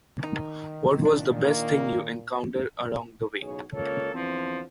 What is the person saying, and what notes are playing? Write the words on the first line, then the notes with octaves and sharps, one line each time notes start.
What was the best thing you encountered along the way?
D#3 D#4
A#2 D4
A#3
B1 E2 C#3 G#4 C#5
C#2 A#3 A4 C#5
E2 D3 F3 C4